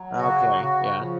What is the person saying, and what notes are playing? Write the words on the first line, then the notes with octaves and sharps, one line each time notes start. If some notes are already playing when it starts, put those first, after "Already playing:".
Okay. Yeah.
Already playing: F#3
C#3 F#4
C#3
F3